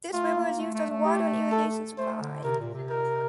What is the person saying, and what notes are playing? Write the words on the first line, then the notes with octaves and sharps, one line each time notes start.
This river is used as a water and irrigation supply.
A3 F4
A#3
A3
A3
A3
G4
A4
A3 C5
D3
C3 A#4
A#2
C3
A#4